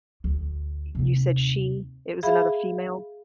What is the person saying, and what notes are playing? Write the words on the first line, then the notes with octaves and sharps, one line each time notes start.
you said she it was another female?
D2
D#2 C3
G#4 E5 F5 B5